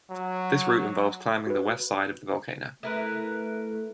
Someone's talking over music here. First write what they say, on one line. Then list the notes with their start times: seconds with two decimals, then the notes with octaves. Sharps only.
This route involves climbing the west side of the volcano.
0.10 F#3
1.47 F#4 B4
2.83 A3 E4 A#4 B4